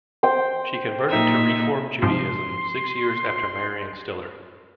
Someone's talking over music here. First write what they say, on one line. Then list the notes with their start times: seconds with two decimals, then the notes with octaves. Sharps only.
She converted to Reform Judaism six years after marrying Stiller.
0.23 C5 G5
1.09 A#2 D#4 E5
2.02 G#2 C3 F3 C6